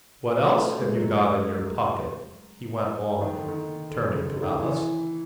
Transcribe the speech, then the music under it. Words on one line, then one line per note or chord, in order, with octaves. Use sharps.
'What else have you got in your pocket?' he went on, turning to Alice.
A3
G#3
F#3
D#3
D3
D#3
D3
C#3
D3
D#3
E3